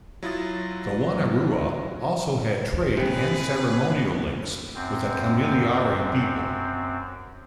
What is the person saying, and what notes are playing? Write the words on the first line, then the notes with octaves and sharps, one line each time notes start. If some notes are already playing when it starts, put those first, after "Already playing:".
The Wonnarua also had trade and ceremonial links with the Kamilaroi people.
F#3 E4 F4 D#6 A6
D#2 C3 G#4 B4
F#2 C4